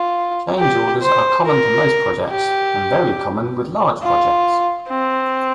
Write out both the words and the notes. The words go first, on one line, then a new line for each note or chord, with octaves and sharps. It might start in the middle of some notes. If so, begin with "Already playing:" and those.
Change orders are common to most projects, and very common with large projects.
Already playing: F4
G4
C5
A#4
G4
F4
C4